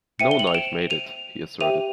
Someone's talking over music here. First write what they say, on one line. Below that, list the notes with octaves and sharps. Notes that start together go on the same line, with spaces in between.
"No knife made it," he asserted.
C5 E5 G5 C#7 D#7
G7
F#7
F7
D7 E7
D#7 F7
G4 C5 E5 G5 D#7 F7